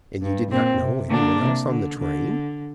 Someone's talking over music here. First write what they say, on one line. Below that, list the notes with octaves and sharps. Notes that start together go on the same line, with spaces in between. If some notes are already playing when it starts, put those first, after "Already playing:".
"And you did not know any one else on the train?"
G2
A#2 C4
C3
D3 A#3 D4
C3
D3
D3